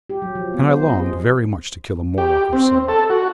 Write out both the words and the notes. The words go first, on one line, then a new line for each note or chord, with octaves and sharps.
And I longed very much to kill a Morlock or so.
G4
F#3
F3
B3
C5
D#5
G#4
G4
C4
A4
F#4